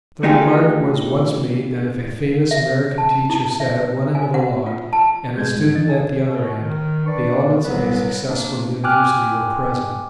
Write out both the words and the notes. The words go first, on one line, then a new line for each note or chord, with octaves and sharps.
The remark was once made that if a famous American teacher sat at one end of a log and a student at the other end, the elements of a successful university were present.
A3 D4 D#4 F4 G4 G#4
E5
A5
E4
E5
G#5
F#5
F4
A5
G#3 G6 G#6
G#2
D3 E3 D#5 A6
D#3 A4 G#5
B2
D#3
D4 B4 D5 C#6
C2 F#3 B3 B4
A#3 D4
G5 G#5 D6 F6 F#6